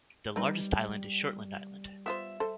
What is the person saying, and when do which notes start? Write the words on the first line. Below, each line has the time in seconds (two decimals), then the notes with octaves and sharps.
The largest island is Shortland Island.
0.36 G3 C4 D#4 B4
2.06 B3 F4 C5 E5
2.40 A4 C5